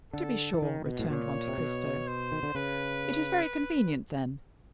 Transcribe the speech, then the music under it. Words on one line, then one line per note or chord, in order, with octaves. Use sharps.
"To be sure," returned Monte Cristo; "it is very convenient, then?"
D3 A4
E3
D#3
B2
A2
A#2 C#5
C3
B2
C5
D#3
D3
C#3 B4